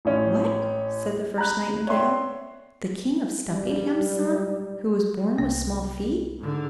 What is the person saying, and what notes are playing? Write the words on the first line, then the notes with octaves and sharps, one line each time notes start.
"What!" said the first nightingale--"the King of Stumpinghame's son, who was born with small feet?"
A1 C#4
A#5 B5 F#6
C#5 D5 E5 G5 C6
G3
C2 A#3
G#2 D3